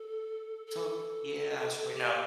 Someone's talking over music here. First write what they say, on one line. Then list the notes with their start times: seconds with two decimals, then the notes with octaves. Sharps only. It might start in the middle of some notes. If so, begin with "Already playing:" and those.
So, yeah. So right now,
Already playing: A4
0.67 A4
1.92 G4